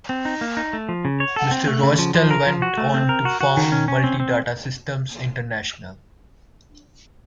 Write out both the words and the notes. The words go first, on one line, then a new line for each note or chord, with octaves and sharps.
Mr. Roestel went on to found Multidata Systems International.
C4
D#4
A#3
D#4
A3
F3
C#3
C#5
A4
C4
A3
C#3
F3
F3
A#4
F3
F#4
A3
C4
A#4
F#4
F#4
D#3
C#4
C#4
C4
C4